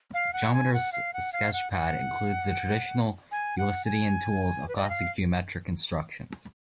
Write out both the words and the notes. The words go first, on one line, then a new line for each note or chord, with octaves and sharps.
Geometer's Sketchpad includes the traditional Euclidean tools of classical geometric constructions.
F5
F#5
G#5
F#5
F5
F#5
F5
F#5
F#5
G#5
F#5
G#5
B4
D5
D#5
F5